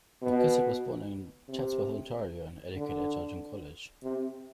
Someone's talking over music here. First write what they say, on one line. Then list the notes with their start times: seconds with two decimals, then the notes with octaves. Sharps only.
McKessock was born in Chatsworth, Ontario and educated at Georgian College.
0.22 B2
1.49 C3
2.76 D3
4.03 C3